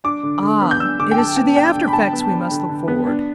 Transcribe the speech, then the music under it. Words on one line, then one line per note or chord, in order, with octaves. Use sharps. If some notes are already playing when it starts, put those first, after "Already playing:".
"Ah! it is to the after effects we must look forward."
D4 D6
D3
D3
B3
G6
D4 E6
D3 D6
G5
D3 A5
B3 G5
D4 G5
D3
B5
D3 A5
B3
D4
D3
D3
B3
D4